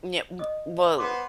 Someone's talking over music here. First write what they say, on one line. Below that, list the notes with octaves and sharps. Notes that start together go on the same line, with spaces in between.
Yeah we well,
D#5 D#6
B3 B4 C5 D6 D#6